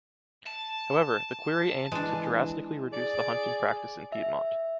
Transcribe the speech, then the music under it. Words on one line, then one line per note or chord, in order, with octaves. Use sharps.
However, the query aimed to drastically reduce the hunting practice in Piedmont.
A5
E3 G#3 D4
G#4 D5
E5